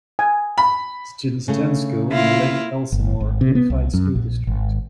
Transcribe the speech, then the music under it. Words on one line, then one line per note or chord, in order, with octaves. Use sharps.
Students attend school in the Lake Elsinore Unified School District.
G#5
B5
C#3 A3
A#3 E4 F4
G1
G#1
C3
B3
C2
F#2
A#1
G#1